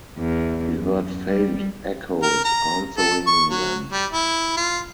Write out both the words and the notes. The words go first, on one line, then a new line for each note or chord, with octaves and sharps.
He heard faint echoes answering them.
E2
F#2
G3
A#4
A#5
A4
C#6
F#3
G3
E4
F4